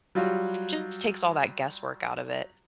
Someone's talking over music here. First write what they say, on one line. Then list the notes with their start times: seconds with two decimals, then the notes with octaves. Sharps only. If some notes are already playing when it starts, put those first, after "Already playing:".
Just takes all that guesswork out of it.
0.15 F#3 G3 F4 F#4